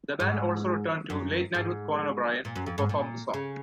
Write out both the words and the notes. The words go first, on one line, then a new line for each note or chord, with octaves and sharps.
The band also returned to "Late Night with Conan O'Brien" to perform the song.
G#2
F#2
G#2
A#2
F#2
F2
G#2
A#2
C#3